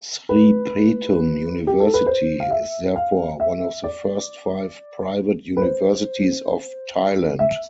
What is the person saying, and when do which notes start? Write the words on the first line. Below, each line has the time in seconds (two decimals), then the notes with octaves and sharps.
Sripatum University is therefore one of the first five private universities of Thailand.
0.29 B4
1.67 G4
1.80 A4
1.94 B4
2.06 C5
2.40 F5
2.51 E5
2.96 F5
3.40 E5
3.84 D5
5.57 B4
5.62 C5
7.39 E5